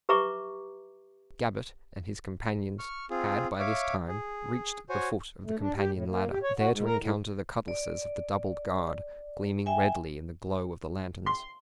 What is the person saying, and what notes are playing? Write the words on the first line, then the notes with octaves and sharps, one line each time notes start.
Gabbett and his companions had by this time reached the foot of the companion ladder, there to encounter the cutlasses of the doubled guard gleaming redly in the glow of the lanterns.
G4 B4 E5 A#5 C#6 D6
C#6 F6
C4 F4 G#4
C#5 E5 F5 D6
G#4
F#4 C5 C#5 G#5
A3
D4
G4
A2
A#3
G4
C#5
F#4
G#2
A#4
A2
D5
E5 G5 G#5
C6